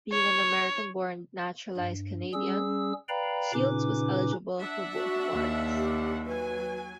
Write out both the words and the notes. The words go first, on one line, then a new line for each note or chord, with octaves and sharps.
Being an American-born naturalized Canadian, Shields was eligible for both awards.
C#5
G2
G3 C#4 G#4 E6
B4 D5 F5 G5 A#5 B5
A#2 C#3 C#4 D#4 B4 D6
D4 E5 F#5
F#4
D#2
G4
F#3 B4 G#5